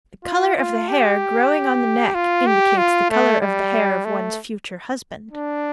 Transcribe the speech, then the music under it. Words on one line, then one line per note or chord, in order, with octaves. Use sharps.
The color of the hair growing on the neck indicates the color of the hair of one's future husband.
F4
F4
G4
F4
G4
F4
A3
G3
A3
D4